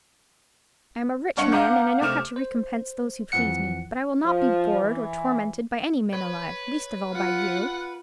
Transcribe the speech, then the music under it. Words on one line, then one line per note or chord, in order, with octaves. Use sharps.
I am a rich man, and know how to recompense those who please me: but I will not be bored or tormented by any man alive: least of all by you.
G2 D4 C#5 F#5 C#6 C#7
F5 F#5 A#5 D6 G6
C3 A3 D6 F6 E7
C5
F2 E3 F3 F#5 C#7
F3
E3
B4 C#5
F4 F#5